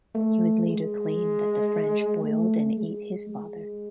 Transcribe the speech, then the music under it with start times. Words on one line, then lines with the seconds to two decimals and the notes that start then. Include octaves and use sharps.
He would later claim that the French boiled and ate his father.
0.15 A3
0.67 G#3
2.24 A3
2.77 G#3
3.30 G#3